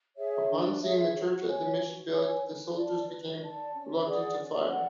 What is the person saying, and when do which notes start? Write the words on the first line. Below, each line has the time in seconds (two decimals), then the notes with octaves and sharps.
Upon seeing the Church at the mission village the soldiers become reluctant to fire.
0.17 G#4 C#5 E5
0.49 D4
0.82 G#4 C#5 E5
1.14 F#4
1.46 C#5 G#5
1.78 F#4
2.11 C#5 G#5
2.44 B4
2.76 D5 A5
3.08 B4
3.40 D5 A5
3.73 C#4
4.04 G#4 D5 F#5
4.36 C#4
4.70 D5 F#5